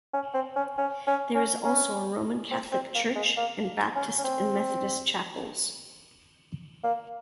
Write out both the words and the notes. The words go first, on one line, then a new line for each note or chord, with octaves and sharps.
There is also a Roman Catholic church, and Baptist and Methodist chapels.
C#4
C4
C#4
C#4
C#4
C#4
C#4
C4
C4
A#3
G#3
A#3
C#4
C#4
C4
A#3